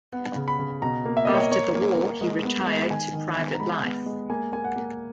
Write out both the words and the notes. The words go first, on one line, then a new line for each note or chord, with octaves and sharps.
After the war he retired to private life.
B3 F#5
C#3
B5
C#3
B2 A#5
A#3
E5
A#3 D#5
C#5
D#5
A#3 C#5
A#3
A#3
G#3 D#5
B3
G#3
D#3 G#5
D#3
B3
A#5
G#3 B5
B3
G#3
A#3 G#5
A#3 G#5
F#5
A#3